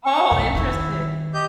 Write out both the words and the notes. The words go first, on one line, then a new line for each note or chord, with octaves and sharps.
Oh! Interesting.
C#6
B1 F2
D#3 C4 E4
G4 D#5 G6